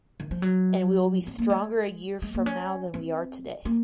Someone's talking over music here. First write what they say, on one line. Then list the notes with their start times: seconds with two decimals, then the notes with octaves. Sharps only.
And we will be stronger a year from now than we are today.
0.20 D#3
0.31 F3
0.42 F#3
1.27 C4
1.38 A#3
1.50 G#3
2.22 G#3
2.35 A#3
2.46 C#4
2.94 C4
3.65 A#3